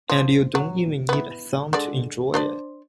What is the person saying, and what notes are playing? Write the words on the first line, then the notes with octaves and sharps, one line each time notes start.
And you don't even need a thong to enjoy it.
F3
F#3
B3 E4
D3 G#3 D5
D4 C5 D5